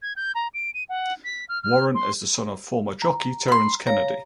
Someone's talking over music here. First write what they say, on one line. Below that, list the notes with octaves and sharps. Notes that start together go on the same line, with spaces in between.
Warren is the son of former jockey Terrence Kennedy.
G#6
G6
A#5
D7
D#7
F#5
B6
F6
F6
C6
A#5
B5 C6
C#5 F5 A#5